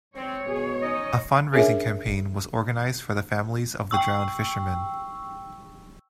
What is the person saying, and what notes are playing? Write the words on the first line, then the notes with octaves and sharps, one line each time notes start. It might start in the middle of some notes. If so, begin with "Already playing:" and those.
A fundraising campaign was organised for the families of the drowned fishermen.
C4 C#5
B2 G#4
C#4 D#4 D#5
C#4 D4 G#4 A#4 C#5 E5
G5 C#6 E6